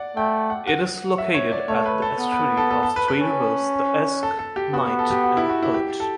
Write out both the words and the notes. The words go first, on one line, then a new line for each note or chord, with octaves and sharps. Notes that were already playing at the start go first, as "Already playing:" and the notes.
It is located at the estuary of three rivers: the Esk, Mite and Irt.
Already playing: D5 F#5
A3 G5
F#5
F#5
E5
C#5
D5
A3 C#5
B4
A4
B3
B4
A4
A4
A4
B4
B4
C#4
A4
A4
G4
B3 F#4
F#4
A4
G4
F#4
E4
F#4
E4
G4
A4